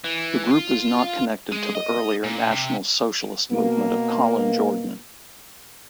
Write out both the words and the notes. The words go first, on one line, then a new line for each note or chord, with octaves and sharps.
The group is not connected to the earlier National Socialist Movement of Colin Jordan.
E3
F4
G#3
D#5
A#2
C3
B2 A#3